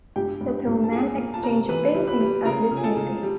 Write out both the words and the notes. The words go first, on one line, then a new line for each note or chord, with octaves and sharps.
The two men exchanged paintings at this meeting.
G2 G4 G5
G2
G2
A5
A#3 G#4 G#5
A#3
A5
C3 A#4 A#5
E3 B4 B5
G3
B4 B5
G3
C#3 A#4 A#5
C#3
G#5
A4 A5
C#3
G3